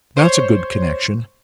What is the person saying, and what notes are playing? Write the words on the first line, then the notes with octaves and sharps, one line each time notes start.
'That's a good connexion!
C5 C#5